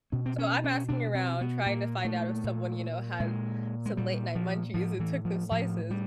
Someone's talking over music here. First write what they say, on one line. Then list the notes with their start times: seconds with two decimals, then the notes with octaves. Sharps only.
So I'm asking around trying to find out if someone, you know, had some late night munchies and took those slices.
0.12 B2 C#4
0.26 C4
0.38 C#4
0.64 C#4
0.89 B2 D4
1.15 C4
1.41 B3
1.66 A#2 A#3
2.05 A3
2.44 A#2
3.20 A#2 G#3
3.86 G#3
3.97 A#2 G3
4.35 F3
4.74 A2 F3
5.00 E3
5.25 F3
5.51 A2 F3
5.90 G3